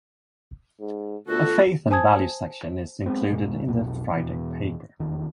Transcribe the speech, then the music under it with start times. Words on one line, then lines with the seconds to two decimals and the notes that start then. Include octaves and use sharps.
A Faith and Values section is included in the Friday paper.
0.81 G#2
1.28 D2 B3 F4 F#4 A4
1.90 C5 G#5 A5 D#6 G#6
3.06 F#3 G#3 B3 C4
3.30 E1 E2 B2 G#3
3.66 B1 F2 B2
4.12 E2 B2
4.99 F1 E2 D#3